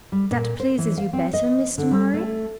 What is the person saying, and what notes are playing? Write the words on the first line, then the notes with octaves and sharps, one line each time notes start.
"That pleases you better, Mr. Murray?"
G3
A#2
C5
E3
F5
C4
D#5
D3
G3
A3